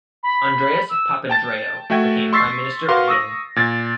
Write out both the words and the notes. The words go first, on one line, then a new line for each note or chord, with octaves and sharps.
Andreas Papandreou became Prime Minister again.
B5
E6
G5 A5 A6
A3 F#4 E5 G5 G#6
C6 C#6 E6 A6 B6 C7
F#4 A#4 B4 F5 C6 D6
C#6 D#6 E6 A#6
A#2 G#6 A6